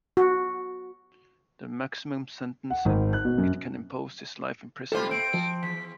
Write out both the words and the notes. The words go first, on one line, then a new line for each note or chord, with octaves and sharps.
The maximum sentence it can impose is life imprisonment.
F#4
F#5
G#1
F#6
B2
F#2
C3 G3 F4 A4 C5
C4 D7
F3
E2 B6